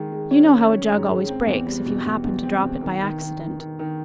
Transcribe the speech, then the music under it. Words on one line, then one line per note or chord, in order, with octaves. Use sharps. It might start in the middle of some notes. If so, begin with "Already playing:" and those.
You know how a jug always breaks if you happen to drop it by accident.
Already playing: D#3 G#3
G#3
C#4
C#4
C#4
G#2
G#3
C4
E2
G3
B2
E2
E2
C4
B2
D#3
D#3
D#3
D#3
D#3
D#3